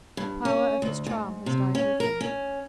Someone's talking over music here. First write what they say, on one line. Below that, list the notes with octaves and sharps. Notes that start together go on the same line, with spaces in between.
The power of his charm has died with him.
G2
C#4
D2
G#2
C3
C#4
A#4
C#4